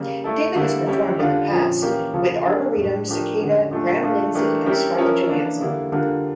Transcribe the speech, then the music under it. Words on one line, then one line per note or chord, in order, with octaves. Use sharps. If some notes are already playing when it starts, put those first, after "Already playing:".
David has performed in the past with Arbouretum, Cicaeda, Graham Lindsey, and Scarlett Johansson.
Already playing: C#3 G3 A#3
A3 E4 A4
D3 G3 A#3 E4
G3 C#4 E4 G4
D3 G3 D4 F4
A#2 F3 C#4
E3 A#3 C#4 G4 A#4
C#3 F3 C#4 F4 A4
G3 D4 G4 A#4
A2 G3 D4
F3 A3 D4 G4 A#4
D3 G3 C#4
A#2 A3 D4
A3 D4 F4
E3 A3 D4 G4 A#4
G3 C#4 E4 G4 A#4
F3 C#4 E4 A#4
E3 A#3 D4
D3 G3 A#3 E4
D3 G3 D4 F4 A#4